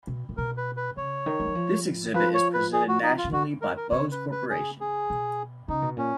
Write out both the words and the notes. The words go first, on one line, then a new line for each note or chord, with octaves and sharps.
This exhibit is presented nationally by Bose Corporation.
B2
A#2
B2 A#4
B4
B4
C#3 C#5
D#3
G#3
F#3
F3
D#3
F3 B4
C#5
B4
G#4
F#4
D#4
F4
C#3
D#3 F#4
A#4
A#4
C#3 C#5
B4
B4
G#4
G#4
B2
C#3 D#4
B2
A#2 C#4